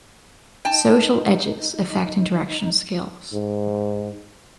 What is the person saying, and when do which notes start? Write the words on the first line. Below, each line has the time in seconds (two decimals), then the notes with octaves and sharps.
Social Edges affect interaction skills.
0.65 D#4 G5 A5
3.33 G#2